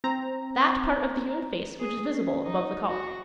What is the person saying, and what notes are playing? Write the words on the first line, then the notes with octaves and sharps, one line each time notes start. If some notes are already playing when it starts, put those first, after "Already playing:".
That part of the human face which is visible above the collar.
C4 A#5
G#4
C#4
D#4
F#4